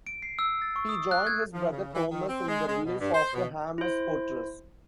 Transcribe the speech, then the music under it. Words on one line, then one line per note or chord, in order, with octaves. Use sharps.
He joined his brother Thomas in the relief of the Hammes fortress.
D7
C7
E6
A6
C#6
D#6
F#6
G#6
F3
C#3
E3
D#3
C4
G#3
G#3
B2
G2
C5
B2
E4 C5